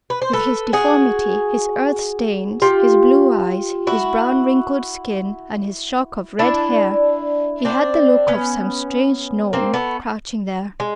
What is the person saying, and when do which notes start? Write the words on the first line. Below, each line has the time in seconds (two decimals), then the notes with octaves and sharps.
With his deformity, his earth-stains, his blue eyes, his brown wrinkled skin, and his shock of red hair, he had the look of some strange gnome crouching there.
0.10 B4
0.22 C5
0.33 A4 B4
0.73 F#4 G#4
2.62 F4 G4
3.87 E4 F#4
6.39 D4 E4
7.65 C4 D4
8.28 B3 C#4
9.53 A#3 C4
9.74 A3 B3
10.80 G#3